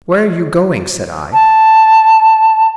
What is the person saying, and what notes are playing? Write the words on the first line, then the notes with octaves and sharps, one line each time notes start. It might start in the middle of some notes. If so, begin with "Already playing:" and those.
"Where are you going?" said I.
A5